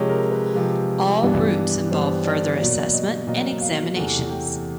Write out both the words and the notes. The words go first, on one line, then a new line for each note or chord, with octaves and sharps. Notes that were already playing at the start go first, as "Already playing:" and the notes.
All routes involve further assessment and examinations.
Already playing: C3 F3 G#3 C#5
A#4
B4
C3 F3 G#3
G2 E3 G3 B3 D4
G2 E3 G3 B3 D4 C5
D5
B2 F#3 A#3 D5
D#5
B2 F#3 A#3 D#5
F5
E2 C3 E3 A3 F#5
G5